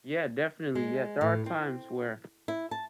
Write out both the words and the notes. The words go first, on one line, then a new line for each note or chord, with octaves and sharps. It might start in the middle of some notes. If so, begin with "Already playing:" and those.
Yeah, definitely. Yeah, there are times where
G#3
A2
C4
E4
A5